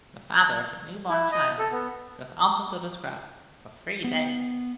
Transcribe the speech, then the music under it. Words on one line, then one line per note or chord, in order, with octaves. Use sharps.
The father of a newborn child goes out into the scrub for three days.
E4
D#5
A4
B3
B3